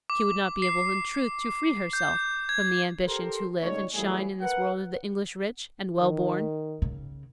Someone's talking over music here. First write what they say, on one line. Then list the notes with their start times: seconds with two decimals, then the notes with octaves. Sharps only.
She would not be able in truth to free herself from the ambition to live and shine in this world of the English rich and well born.
0.10 D6
0.62 C7
1.93 G6
2.49 G#6
3.07 G4 A4 A#4 C5
3.62 C#3 G3 A3 D#4 C#5
3.94 E3 F#3 G3 A3 E4 G#4
4.41 A#4 B4 F#5
6.00 D#3
6.82 C#3